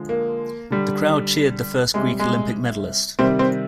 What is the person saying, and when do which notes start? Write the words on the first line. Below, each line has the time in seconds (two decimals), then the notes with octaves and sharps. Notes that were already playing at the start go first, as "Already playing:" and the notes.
The crowd cheered the first Greek Olympic medallist.
Already playing: D3 F3 G#3
0.09 A#3
0.70 D3 G3
1.94 C3 G3 G#3
2.19 G#3
3.19 C3 D#3 G3 C4
3.39 C4